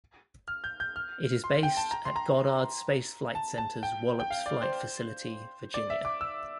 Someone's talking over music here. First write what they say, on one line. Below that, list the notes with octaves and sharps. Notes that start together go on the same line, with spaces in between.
It is based at Goddard Space Flight Center's Wallops Flight Facility, Virginia.
F6
G6
G6
F6
C6
G5
A5
A#5
C6
A#5
A5
A5
G5
G5
F5
D5
C5
D5
E5
D6
E6